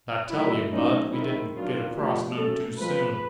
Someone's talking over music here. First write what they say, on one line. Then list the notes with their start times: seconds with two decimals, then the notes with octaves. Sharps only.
And I tell yuh, Bud, we didn't get across none too soon.
0.30 D#3 F#3 A3 E4
0.72 F#3 A3 C#4 D#4
1.13 D#3 G#3 C4 E4
1.54 D#3 F#3 B3 D4 F4
1.96 F3 A3 D4 G4
2.37 F#3 A3 C#4 A4
2.78 F3 G#3 C4 B4